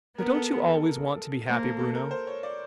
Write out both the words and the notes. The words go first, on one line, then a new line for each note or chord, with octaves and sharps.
"But don't you always want to be happy, Bruno?"
B3 A#4
A4
G#4
A4
A#4
A4
A#3 C5
A4
A4
A#4
C5
C#5
D5